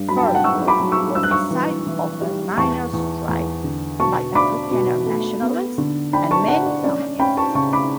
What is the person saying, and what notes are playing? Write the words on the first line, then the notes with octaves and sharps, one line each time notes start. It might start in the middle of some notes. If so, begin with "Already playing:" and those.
Fordsburg was the site of a miners strike by Afrikaner nationalists and many Communists.
Already playing: G2
F#3 B5
A5
G5
F#5 A5
F#3 C#6 E6
B5 D6
F#3
C#6 E6
G2 E6
F#6
C#6 E6
E3
E3
G3
E2 A5 C#6
E2
E2
D3
B2 A5 C#6
D4 B5 D6
B2
A3
B3
D3
D4 G5 B5
A5 C#6
D4 F#5 A5
D5
C#4 D5
C#4 G5 B5
A5 C#6
C#3 A5 C#6
B5 D6